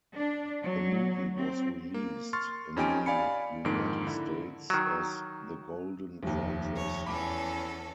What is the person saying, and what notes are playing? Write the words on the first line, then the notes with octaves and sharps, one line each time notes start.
The movie was released in the United States as The Golden Fortress.
D4
F#3
C4
A#3
C6 C#6 F6 A6
F2 C#4 D#4 G4 G#5 D7
D5 F5 G#5 B5 C#7
F2 G#2 D3 D#3 A#3 D7
D3 E4
D#3 F#3
F1 D#2
C#5
E2 C#4 A4 B5 D6